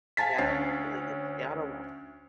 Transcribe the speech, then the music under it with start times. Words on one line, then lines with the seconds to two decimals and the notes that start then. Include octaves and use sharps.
Yeah. It really helps me out a lot.
0.17 F5 G#5 A5 A6 B6
0.38 D2 C#4 C7